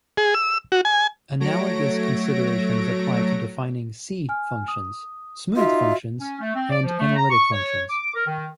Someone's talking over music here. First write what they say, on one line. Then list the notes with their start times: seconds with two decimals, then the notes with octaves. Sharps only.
Analogous considerations apply to defining "C" functions, smooth functions, and analytic functions.
0.17 G#4
0.34 E6
0.72 F#4
0.85 G#5
1.40 F#3 A3 C#5 A#6 D7
4.29 G#5 F6
4.68 D#6
5.57 D#4 F4 F#4 E5
6.19 C#4
6.41 A3
6.55 C4
6.70 D5
6.83 F3
6.99 A3
7.16 A#5
7.30 C#6
7.52 C#5
7.90 D6
8.15 A#4
8.27 D#3